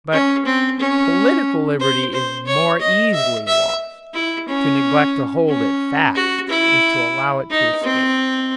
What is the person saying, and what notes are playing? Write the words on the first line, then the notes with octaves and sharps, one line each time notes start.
But political liberty is more easily lost; to neglect to hold it fast is to allow it to escape.
C#4
C4
C#4
C5
C5
C#5
D#5
E5
E5
E4
C#4
C#4
F#4
E4
D#4
C4